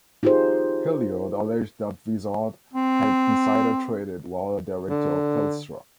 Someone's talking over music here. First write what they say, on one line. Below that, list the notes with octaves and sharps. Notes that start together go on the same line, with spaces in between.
Hilliard alleged that Vizard had insider traded while a director of Telstra.
D#4 F4 G4 G#4 C5
C4
D3